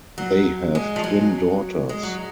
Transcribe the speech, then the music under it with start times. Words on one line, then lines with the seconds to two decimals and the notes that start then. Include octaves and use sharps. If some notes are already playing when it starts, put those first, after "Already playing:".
They have twin daughters.
0.18 F#3
0.75 G#3
0.96 F3
1.04 F#3
1.89 G#3
2.03 F#3